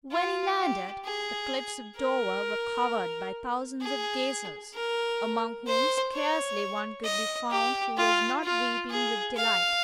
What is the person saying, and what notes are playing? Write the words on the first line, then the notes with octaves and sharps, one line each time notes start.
When he landed, the cliffs of Dover were covered by thousands of gazers, among whom scarcely one could be found who was not weeping with delight.
F4
G4
G#4
A#4
G#4
A#4
C5
C#5
D#5
G4
F4
F4
G#4
F5